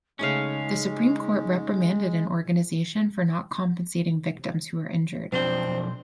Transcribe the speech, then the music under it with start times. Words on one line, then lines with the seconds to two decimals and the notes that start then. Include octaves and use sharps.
The Supreme Court reprimanded an organization for not compensating victims who were injured.
0.19 C#3 G#3 A3 C#4 D#4 F5 G#5
5.32 B1 F2 C4 D4 C5